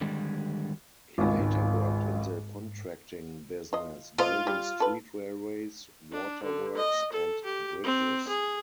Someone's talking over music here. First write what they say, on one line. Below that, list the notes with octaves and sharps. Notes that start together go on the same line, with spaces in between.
He later worked in the contracting business, building street railways, water works, and bridges.
D3 D#3 G3 G#3
G#1 C#2
G#2
F4 D#5
A3 F4 C5 D#5
G3
A4 B4
D4
D3
D#5
A4
G4
C4
G#4